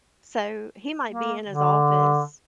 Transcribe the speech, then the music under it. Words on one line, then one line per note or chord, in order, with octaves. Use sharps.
so he might be in his office
A#3
D3